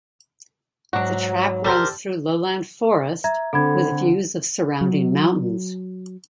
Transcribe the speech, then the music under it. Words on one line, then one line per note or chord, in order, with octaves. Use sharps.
The track runs through lowland forest, with views of surrounding mountains.
G#2 F#3 D4 F#4
G3 G4 A4 A#4 C5
E5 A#5 G#6
D3 C4 A4 B5 G#6
F#3